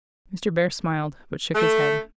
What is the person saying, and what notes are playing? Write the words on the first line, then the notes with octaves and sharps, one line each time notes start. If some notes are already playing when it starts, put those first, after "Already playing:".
Mr. Bhaer smiled, but shook his head.
A3